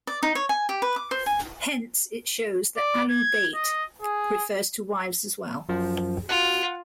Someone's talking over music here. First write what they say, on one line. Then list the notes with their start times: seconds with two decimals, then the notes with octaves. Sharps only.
Hence, it shows that Ahlul-bayt refers to wives as well.
0.07 D5
0.23 D#4
0.35 C#5
0.49 G#5
0.69 G4
0.82 B4
0.96 D6
1.11 C5
1.26 G#5
2.77 D5
3.10 G#6
3.54 D#5
4.02 G#4
5.69 F#2 F3
6.29 F4 F#5